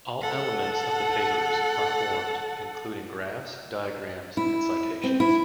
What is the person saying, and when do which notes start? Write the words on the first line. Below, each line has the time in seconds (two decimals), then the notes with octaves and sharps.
All elements of the papers are formed, including graphs, diagrams, and citations.
0.21 A4 F#5
4.37 E4
5.04 C4
5.20 E4